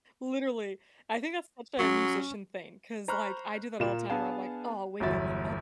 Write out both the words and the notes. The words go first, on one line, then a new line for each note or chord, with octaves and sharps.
Literally. I think that's such a musician thing 'cause like I do that all the time where I'm, like, "Oh" I'll wake up like,
F#3 C#4
C5 A#5 B5 C#6 F6 F#6
A#2 F4 A#4 E7
B3 D4 G#4 F5 G#5 A5
G1 E2 F#3 E4 A6